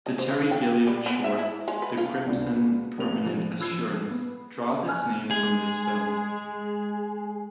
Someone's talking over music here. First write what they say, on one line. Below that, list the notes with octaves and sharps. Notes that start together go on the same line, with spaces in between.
The Terry Gilliam short, "The Crimson Permanent Assurance," draws its name from this film.
D#5
C5
F5
G5
G3
B3
E5
E4
G#3
B4
F4
C#2 B3 D4 F#4
A#1 C3 A#3 B3 F7
A2 F3 G3
F3 E6 G#6 C7
B3
G#5 F6 F#6 G#6
G#3 G#4